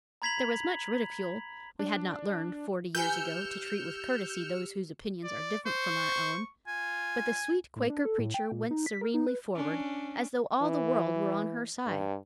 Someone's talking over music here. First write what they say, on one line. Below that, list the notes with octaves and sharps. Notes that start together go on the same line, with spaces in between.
There was much ridicule,--we had not learned, forty years ago, to treat with courtesy those whose opinions are different from our own,--but the sweet Quaker preacher went serenely forward, as though all the world were on her side.
A#5 B5 G#6 B6 F7 F#7
D4
E3 G4 B4 G#5 E6 F6 G6 C#7
D5
C5 C#6
F4 G#5
A2
D4
A4
A2
G5
A#2
D#4
B6
A#4
D#4
B4
C#4 D4
E3
G2